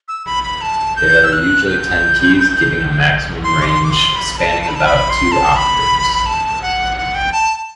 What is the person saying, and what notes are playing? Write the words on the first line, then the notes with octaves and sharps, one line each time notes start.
There are usually ten keys, giving a maximum range spanning about two octaves.
E6
B5
B5
A5
G6
E6
F#6
G6
C6
D6
C6
D6
C6
B5
B5
A5
A5
B5
A5
B5
C6
A5
B5
A5
F#5
F#5
G5
A5